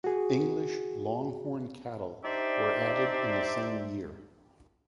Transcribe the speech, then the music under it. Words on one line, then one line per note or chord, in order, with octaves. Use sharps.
English Long Horn Cattle were added in the same year.
F#4 G#4
D4 D#4 G4 C5 D5 E5